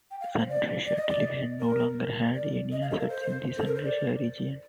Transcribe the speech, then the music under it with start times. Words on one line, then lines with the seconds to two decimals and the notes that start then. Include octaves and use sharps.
Sunraysia Television no longer had any assets in the Sunraysia region.
0.11 G5
0.21 F5
0.39 C5
0.49 D5
0.85 D5
0.96 D#5
1.08 D5
1.60 A#4
2.34 D5
2.72 D#5
2.81 F5
2.91 A4
3.00 A#4
3.09 C5
3.57 A4
3.66 A#4
3.75 C5
3.83 D5